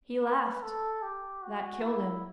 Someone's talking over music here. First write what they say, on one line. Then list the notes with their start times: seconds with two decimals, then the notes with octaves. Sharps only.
"He laughed; that killed him."
0.22 B4
0.63 A4
1.02 G4
1.43 F#4
1.83 E4